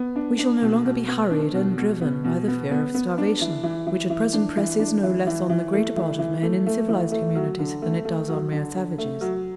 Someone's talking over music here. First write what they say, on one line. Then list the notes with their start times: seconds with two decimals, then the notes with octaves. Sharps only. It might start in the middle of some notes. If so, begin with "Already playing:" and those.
We shall no longer be hurried and driven by the fear of starvation, which at present presses no less on the greater part of men in civilized communities than it does on mere savages.
Already playing: B3
0.16 D4
0.39 D4
0.62 B2
0.85 B2
1.08 B3
1.31 D4
1.54 B2
1.78 B2
2.01 B3
2.24 B2
2.48 B3
2.71 B3
2.94 B3
3.18 D4
3.41 E3
3.63 E3
3.87 E3
4.10 E3
4.33 D4
4.57 E3
4.79 D4
5.03 E3
5.27 E3
5.49 E3
5.73 A3
5.96 E3
6.19 E3
6.43 A3
6.66 A3
6.89 E3
7.12 A3
7.35 F#3
7.59 D3
7.82 A3
8.05 A3
8.28 F#3
8.52 D3
8.75 D3
8.98 A3
9.21 F#3